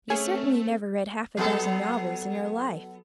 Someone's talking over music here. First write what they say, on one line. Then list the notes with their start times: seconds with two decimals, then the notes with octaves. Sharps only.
"You certainly never read half a dozen novels in your life!"
0.10 A3 C4 C#4 G#4 A4
1.37 F#3 B3 A4